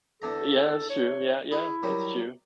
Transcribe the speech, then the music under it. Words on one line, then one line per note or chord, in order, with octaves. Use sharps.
Yeah, that's true, yeah, yeah, that's true.
E2 D3 A4 A#5
C#5
E4 G#4
D#3 F#3 G3